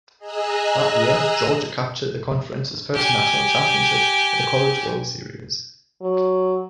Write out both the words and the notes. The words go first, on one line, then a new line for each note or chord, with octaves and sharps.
That year, Georgia captured the conference's first national championship at the College World Series.
G#4 D#5 G#5 A#5 E6 F#6
G4 G#5
F#3